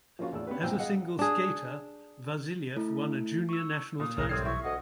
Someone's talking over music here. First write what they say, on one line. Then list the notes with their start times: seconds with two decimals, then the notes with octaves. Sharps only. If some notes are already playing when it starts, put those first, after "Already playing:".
As a single skater, Vasiliev won a Junior national title.
0.19 F3 A#3 C#4 F4 F#4
0.32 E2 A2 D5 E6
0.47 B3 C#4 G4 B4
0.62 F#2 A#2 C4 G5 G#5 E6
0.79 G#4 D#5 F5 F#5
1.19 D4 G#4
2.76 A3 E4 A4
3.49 C#6 E6
4.00 A#2 D#6
4.18 B1 G#2 C#3 E3 A#4
4.29 A2 G3 C4 D#6 F6 G#6 C7
4.45 E4 C#6
4.64 D2 D#5 F#5